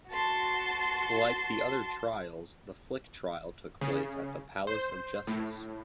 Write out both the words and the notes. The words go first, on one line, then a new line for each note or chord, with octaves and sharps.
Like the other trials, the Flick trial took place at the Palace of Justice.
F#4 A5 C6
C#3
C5
A2